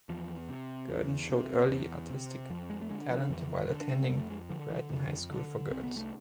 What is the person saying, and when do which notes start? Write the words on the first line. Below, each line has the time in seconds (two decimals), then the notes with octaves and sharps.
Gurdon showed early artistic talent while attending Brighton High School for Girls.
0.09 E2 F3
0.49 C3
0.89 E2
1.30 C3
1.70 E2
2.10 C3
2.50 F2 F3
2.70 G#3
2.82 A3
2.90 D3 G#3
3.10 F3
3.30 F2 E3
3.70 D3
3.81 D4
3.93 C4
4.05 F2 B3
4.18 A3
4.30 G#3
4.50 D3 F3
4.70 E3
4.90 F2 D3
5.30 D3
5.70 C2 C4
5.83 B3
5.97 A3